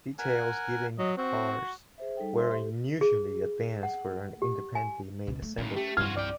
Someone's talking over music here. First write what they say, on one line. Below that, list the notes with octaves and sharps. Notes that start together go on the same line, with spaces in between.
Details given the cars were unusually advanced for an independently made assembled car.
A#4 F#5 G#5
F#3 D#5
C4 F#4
G#4 C5 E5
G3 D#4 A4 G5
C5 E5 C6
G4 A4
G#4
F#5
G4
G#5
C#2 B2
A3
D#2 A2 C#4
A3 G4
C2 G2 F4 F#4 F6 G#6
F2 D5 G5